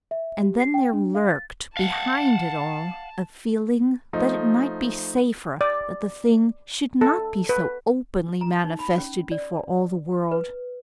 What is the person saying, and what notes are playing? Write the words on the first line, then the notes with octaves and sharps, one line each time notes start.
And then there lurked behind it all a feeling that it might be safer that the thing should not be so openly manifested before all the world.
E5
G4
C7
G5
D4
F5
A6
F5 F#5 A5
F3 A3 D#4
D5
A4
B4
A#5
D#4
B5
C#4
D5
B4